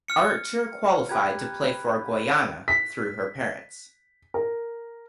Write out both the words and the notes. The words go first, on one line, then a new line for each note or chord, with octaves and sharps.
Archer qualified to play for Guyana through her parents.
F6 C#7
G4 B4 A#5 G#6
B6
A#4